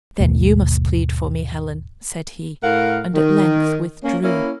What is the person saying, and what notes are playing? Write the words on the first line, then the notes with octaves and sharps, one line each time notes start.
'Then you must plead for me, Helen,' said he, and at length withdrew.
G#1 D#2 B2 A3
A2 A#4 F5 F#5
D#3
A#3 C#4
A#3 C#4 E4